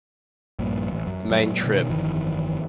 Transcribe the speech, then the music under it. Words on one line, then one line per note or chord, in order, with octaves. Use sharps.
The main Trib.
A#1 G2 A#2
A1
F#2
A#2 F#3 G#3
B2 D3 D#3
G1 F2 D#3 E3